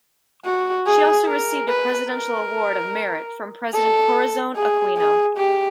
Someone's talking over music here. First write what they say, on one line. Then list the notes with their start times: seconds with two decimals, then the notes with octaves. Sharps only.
She also received a Presidential Award of Merit from President Corazon Aquino.
0.45 F#4
0.86 G#4
1.28 A#4
1.68 B4
2.09 A#4
3.74 A4
4.56 G#4
4.97 G#4
5.37 G4